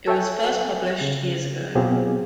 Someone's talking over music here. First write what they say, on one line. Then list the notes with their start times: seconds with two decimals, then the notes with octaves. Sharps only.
It was first published years ago.
0.08 A4 C#5 E5 G5 G#5
1.01 C#3
1.75 B2 F#3 C4 F4 G4 G#4